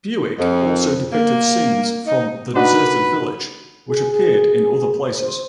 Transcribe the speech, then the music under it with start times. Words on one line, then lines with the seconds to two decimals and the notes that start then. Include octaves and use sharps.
Bewick also depicted scenes from "The Deserted Village" which appeared in other places.
0.38 F2
1.13 A#3
2.07 D#4
2.55 D4 D#4 F#4 B4
3.89 G#4
5.17 C5